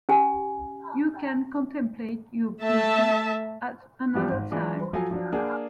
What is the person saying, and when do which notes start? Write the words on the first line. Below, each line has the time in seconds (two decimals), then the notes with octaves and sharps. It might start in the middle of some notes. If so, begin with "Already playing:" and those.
You can contemplate your beauty at another time.
0.09 C#4 G4 G#5
2.62 A3 E5 A5
4.14 E3 F3 G3 G4
4.31 G#1
4.51 E3 G#3 D4 F4
4.93 F3 F#3 F4 A4 G#5
5.11 F3 F#3 D4
5.32 A#3 D4 G#4 F#5 G#5